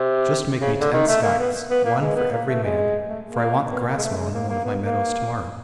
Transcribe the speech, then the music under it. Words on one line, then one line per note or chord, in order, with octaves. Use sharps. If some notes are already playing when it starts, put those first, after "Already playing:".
Just make me ten scythes, one for every man, for I want the grass mown in one of my meadows to-morrow.'
Already playing: C3
C#3
D3
D#3
A3
A#3
B3
B3
A#3
G#3
B3
A#3
A3
G#3
A3
A#3
B3
A#3
G#3
A3
G#3
A#3
A#3
B3
A#3